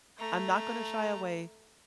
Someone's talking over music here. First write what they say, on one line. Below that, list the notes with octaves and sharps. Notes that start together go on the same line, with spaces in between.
I'm not gonna shy away
A3 A#5